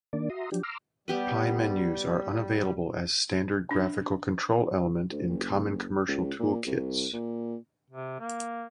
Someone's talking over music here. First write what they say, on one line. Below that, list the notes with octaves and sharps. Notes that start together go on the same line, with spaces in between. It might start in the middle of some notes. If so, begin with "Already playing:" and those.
Pie menus are unavailable as standard graphical control element in common commercial toolkits.
D#3 A#3 D4 D5
F#4 E5 A#5 C6 D#6
F3 F#3 D4 G4
A#5 C6 D6 E6 F6
G3 B3 G4 B4
D4
D2
F#1
C#2
A#2
C2
A#2
C3
A#3